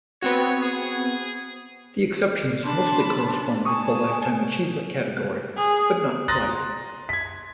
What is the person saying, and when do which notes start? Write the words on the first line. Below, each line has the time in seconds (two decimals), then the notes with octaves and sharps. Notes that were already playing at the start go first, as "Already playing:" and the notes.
The exceptions mostly correspond with the lifetime achievement category, but not quite.
0.22 B3 C4 F#4 C#5
0.63 G#4
2.64 D4 A5 B5 C6
3.65 G#5 A5 C#6 D#6
5.57 G#4
6.28 A#5 C6 D#6 F#6 A6 A#6
7.09 G#6 B6